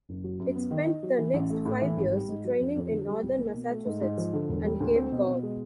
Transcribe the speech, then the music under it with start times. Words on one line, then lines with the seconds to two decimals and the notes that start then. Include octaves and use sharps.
It spent the next five years training in northern Massachusetts and Cape Cod.
0.09 F#1
0.24 F#3
0.39 F#2
0.55 B3
0.71 D#3
0.88 D#4
1.03 F#3
1.19 E3
1.34 A1
1.50 A3
1.65 A2
1.82 E3
1.97 G#1
2.13 G3
2.29 G#2
2.45 F#3
2.60 F2
2.76 F2
2.92 D3
3.07 G3
3.23 C2
3.39 A#3
3.54 B2
3.70 A3
3.86 G#2
4.01 G#2
4.18 F3
4.33 D3
4.49 E1
4.64 G3
4.80 D2
4.96 C4
5.12 B2
5.28 B2
5.43 G#3